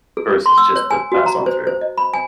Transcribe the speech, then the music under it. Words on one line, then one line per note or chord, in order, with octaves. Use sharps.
versus just to pass on through?
G#4
C6
E6
C#5
G#5
F#4
A#5
C5
C5
D#5
B5
G#5